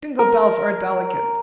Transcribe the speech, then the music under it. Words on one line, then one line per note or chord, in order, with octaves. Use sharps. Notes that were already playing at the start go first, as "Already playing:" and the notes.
Dingle-bells are delicate.
A#4